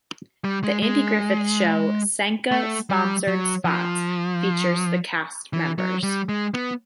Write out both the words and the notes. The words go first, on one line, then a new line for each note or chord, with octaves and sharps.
The Andy Griffith Show Sanka sponsor spots featured the cast members.
G3
G#3
G#3
A3
G3
F#3
F3
E3
F#3
G3
G#3
B3